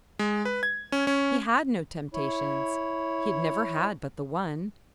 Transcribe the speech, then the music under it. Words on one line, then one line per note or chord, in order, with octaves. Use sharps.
He had no temptations; he had never had but the one.
G#3
B4
G#6
C#4
C#4
E4 C#5